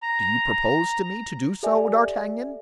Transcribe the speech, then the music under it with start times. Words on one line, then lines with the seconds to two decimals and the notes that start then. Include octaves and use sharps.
"Do you propose to me to do so, D'Artagnan?"
0.02 A#5
1.63 G4 A4 D5 E5 G#5